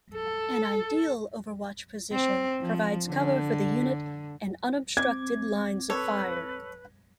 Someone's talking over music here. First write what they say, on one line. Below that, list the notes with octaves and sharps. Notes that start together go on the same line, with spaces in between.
An ideal overwatch position provides cover for the unit, and unobstructed lines of fire.
A4
C4
F3
D3
C4 D6 G#6
A4 B4 C#5